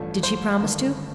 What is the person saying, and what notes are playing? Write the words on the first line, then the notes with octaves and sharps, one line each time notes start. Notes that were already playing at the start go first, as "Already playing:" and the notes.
"Did she promise to?"
Already playing: A1 G2 F3 A3
C5
G1 G2 D#3 A3